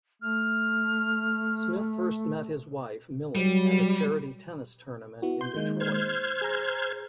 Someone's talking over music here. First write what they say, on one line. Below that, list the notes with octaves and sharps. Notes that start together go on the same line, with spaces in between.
Smith first met his wife, Millie, at a charity tennis tournament in Detroit.
A3 F6
F#3 G3
B3 E4 F#4
C6 G6
D#3 G#3 A#3
C5 F6 G#6
G#4 A#5